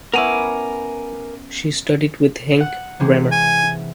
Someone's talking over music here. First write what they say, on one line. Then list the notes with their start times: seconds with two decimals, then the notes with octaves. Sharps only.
She studied with Henk Bremmer.
0.14 B3 C#4 E4 A#4 G#5 D6
2.60 F#5
3.00 C3 E3 G#3
3.32 G#5